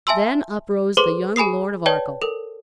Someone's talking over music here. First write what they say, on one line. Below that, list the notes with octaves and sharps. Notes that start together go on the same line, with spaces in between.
Then uprose the young Lord of Arkell.
E5 G#5 A5 C6 E6
G#4 A4 B4 C5 C6 D6
G#4 G#5 B5 D#6 C7
B4 C#5 D5 G5 A5
A4 A#4